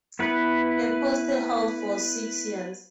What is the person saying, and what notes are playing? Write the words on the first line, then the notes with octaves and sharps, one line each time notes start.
A post he held for six years.
B3 E4 B4